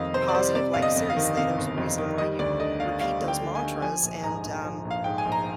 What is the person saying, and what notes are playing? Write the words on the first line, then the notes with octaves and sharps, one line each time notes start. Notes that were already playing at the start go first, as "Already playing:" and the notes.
positive. Like, seriously, there's a reason why you repeat those mantras. And, um,
Already playing: F2 D#3 G3 D#5 F5
C3 C5
D5
G3 C5
C3 D5
G1 F5
D#5
F2
F5
D#3
C3 F5
G1
F2
D#3
G3 D#5
D2 D5
D3 D#5
D4 F5
G3 F5
D2
G5
D3
G#5
D4
F3 G#5
A#1
G#2 A#5
A#1
F3
A#1
F5
G#2 G5
G#5
A#1
A#5